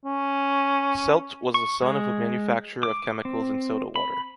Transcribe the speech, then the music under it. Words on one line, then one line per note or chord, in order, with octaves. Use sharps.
Seldte was the son of a manufacturer of chemicals and soda water.
C#4
C#6
G#3
D6
C4
B5